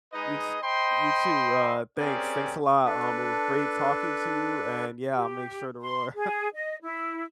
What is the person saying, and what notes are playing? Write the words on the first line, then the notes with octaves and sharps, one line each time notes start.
you t you too, uh, thanks thanks a lot, um, it was great talking to you and yeah, I'll make sure to roar.
G#3 D#4 G#4 B4 D#5
C5 D#5 G5 B5 C6
C4 C#4 G4 G#4 A#4 D5
D4 A4 B4
G4
C6
G#4
D#5
E4